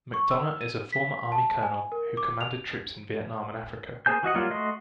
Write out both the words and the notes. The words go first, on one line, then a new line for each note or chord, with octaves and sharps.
McDonough is a former Army colonel who commanded troops in Vietnam and Africa.
C#6
E6
D#7
B6
A5
G#5
A#4
D6
F7
A#3 G#4 C5 G#5 G6
E3 F#4 D#5 F#5
F#3 G3 A#3 F4
A3 F#4 D#5 C6